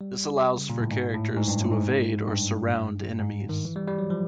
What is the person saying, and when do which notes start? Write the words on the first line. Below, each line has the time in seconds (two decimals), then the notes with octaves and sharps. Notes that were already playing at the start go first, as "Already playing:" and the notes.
This allows for characters to evade or surround enemies.
0.01 G3
0.58 C#3
0.70 A#2
0.81 A2
0.91 G#2
1.14 A2
1.37 G#2
1.48 G2
1.60 A2
1.71 G#2
2.29 G2
3.19 G#2
3.49 D#3
3.65 E3
3.76 G3
3.88 G3
3.99 F#3
4.10 F3